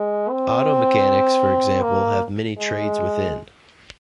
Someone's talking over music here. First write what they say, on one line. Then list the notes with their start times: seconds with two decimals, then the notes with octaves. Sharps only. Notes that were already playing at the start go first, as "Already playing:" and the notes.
Auto mechanics, for example, have many trades within.
Already playing: G#3
0.29 C4
1.82 A#3
2.58 G#3